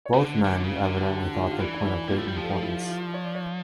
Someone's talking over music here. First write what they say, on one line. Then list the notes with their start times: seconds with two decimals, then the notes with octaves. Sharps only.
Both men evidently thought the point of great importance.
0.05 C#5
0.14 C#3
0.25 D3
0.44 D3
0.64 C#3
0.76 C#5
0.84 D3 A#4
1.09 G4
1.34 F4
1.42 G4
1.51 F4
1.60 E3 D4
1.76 D4
1.85 E4
2.08 A#3 F4
2.18 A3
2.28 G3
2.37 F3 G4
2.43 A4
2.50 G4
2.63 E4
2.88 F4
3.14 C#5
3.24 D5
3.35 C#5